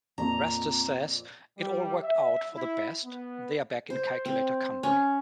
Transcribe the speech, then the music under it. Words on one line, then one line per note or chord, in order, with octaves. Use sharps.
Rastus says it all worked out for the best, they're back in calculator country.
F2 A#2 A#5
G3
E5
E4
B3
C5
C4
C#4